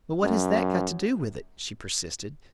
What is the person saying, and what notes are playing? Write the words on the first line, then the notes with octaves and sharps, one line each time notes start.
"But what has that got to do with it?" she persisted.
F#2